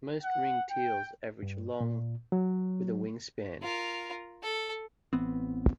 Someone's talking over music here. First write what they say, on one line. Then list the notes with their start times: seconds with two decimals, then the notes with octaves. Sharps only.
Most ringed teals average long, with a wingspan.
0.23 F#5
0.71 G5
1.43 G2
1.81 A#2
2.32 F#3
3.62 F4 A#4
4.43 A4
5.13 A1 E3 B3 C4